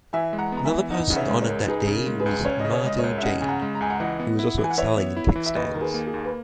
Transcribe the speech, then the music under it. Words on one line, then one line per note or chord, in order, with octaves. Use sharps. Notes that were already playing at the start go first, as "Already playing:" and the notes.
Another person honoured that day was Madhu Jain who was also excelling in textiles.
E3 E5 G#5
G#3
F#5 A#5
B3 A#5
E5 G#5
E3
D#4 D#5 F#5
C#3 F#5
C#5 E5
G#3
A#4 C#5
C#2
D#4 G#4 B4
C#3
A#4
G#3
G#4 B4
C#2
C#4 C#5
D#5
C#3
C#5
G#3 D#5
C#2 A#4 C#5
E5
C#4 D#5 F#5
C#3 G#5
F#5 A#5
G#3
A#5
C#2 G#5
F#5 A#5
E3 D#5 F#5
B3
E4
E3
G#5
F#5
E3 C#5 E5
B3
E4
E3
E5
D#2 B4 D#5
D#3 A#4
G#4 B4
A#3
G#4
D#2
B4